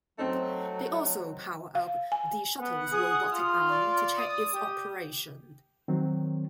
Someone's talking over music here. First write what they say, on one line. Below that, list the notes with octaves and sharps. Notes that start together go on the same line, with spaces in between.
They also powered up the shuttle's robotic arm to check its operation.
F#3 A3 C4 D#4
F5
G#5
B3 F#5
G#4 D#6
F4 F6
D5
D#6
G4
D#3 F#3 C4